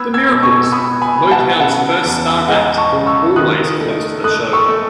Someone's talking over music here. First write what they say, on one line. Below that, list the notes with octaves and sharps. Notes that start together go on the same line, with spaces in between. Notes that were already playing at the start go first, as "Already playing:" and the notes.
The Miracles, Motown's first star act, always closed the show.
Already playing: B3 E6 G#6
E6 G#6
B2
C#6 E6
E6
B3 B5 D#6
G#5 B5
B3
F#5 A5
C#3 F#5 A5
E2
G#3 D#5 F#5
A5 C#6
C#3
C#6 E6
D#3 D#6 F#6
A3
A3 D#6 F#6
C#6 E6
A3